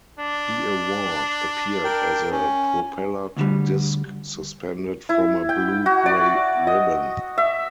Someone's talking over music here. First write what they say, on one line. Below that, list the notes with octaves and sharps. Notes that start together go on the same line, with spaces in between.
The award appeared as a propellered disc suspended from a blue-grey ribbon.
D4
A#4 G5
C#4
D2 D3 G3
E4
G5
F#4
D5
D#5
E5